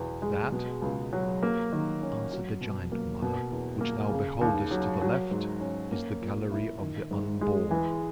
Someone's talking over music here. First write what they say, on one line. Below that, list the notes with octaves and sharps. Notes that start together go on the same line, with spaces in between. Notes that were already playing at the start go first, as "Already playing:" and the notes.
'That,' answered the giant-mother, 'which thou beholdest to the left, is the gallery of the Unborn.
Already playing: E2 B2
G#3
B2
C#2
F#3
A#3
D#3
C#4
F#3
B2
A#3
B2
E2
A#3
C#3
D#2
F#3
F#3
G#2
C#4
A#3
A#2
E4
D#3
G#2
G#3
E3